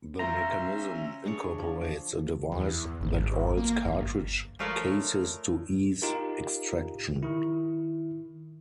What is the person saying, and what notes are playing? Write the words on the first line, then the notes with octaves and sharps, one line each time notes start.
The mechanism incorporates a device that oils cartridge cases to ease extraction.
C#4 F4 F#4 C5 E5 A#5
G#5
D4 G#4 C#5
F3
E2
G#1
A#3
G1
F3 A3 F4 A#4 C#5 D5
D#4 F4 G4 A#4
D#3 E4